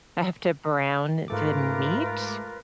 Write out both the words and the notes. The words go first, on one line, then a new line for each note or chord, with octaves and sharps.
I have to brown the meat
G#2 A3 F4 A#4 B4 D6